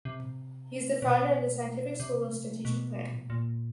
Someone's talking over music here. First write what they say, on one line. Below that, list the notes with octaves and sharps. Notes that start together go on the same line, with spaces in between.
He is the founder of the Scientific School of Strategic Planning.
C3
B2
C3
B2
A#2